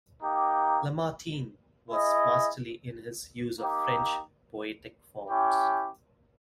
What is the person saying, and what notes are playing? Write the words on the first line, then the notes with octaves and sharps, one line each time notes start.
Lamartine was masterly in his use of French poetic forms.
A#3 D#4 G4
E4 G#4 D#5
A#3 D#4 G4
C#4 E4 G4